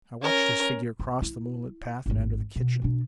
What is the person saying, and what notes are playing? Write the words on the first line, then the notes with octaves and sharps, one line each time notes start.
I watched his figure cross the moonlit path and enter the kitchen.
C#4 A#4
E3
E4
G#1 D#2
B2
B2 D4